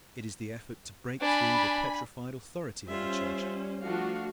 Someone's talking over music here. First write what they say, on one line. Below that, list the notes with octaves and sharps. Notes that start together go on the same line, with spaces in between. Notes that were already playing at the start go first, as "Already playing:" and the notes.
It is the effort to break through the petrified authority of the Church.
D4 G#5 B5
G3 C#4 F4 C5 E5
F3 A3 D4 F#4 F5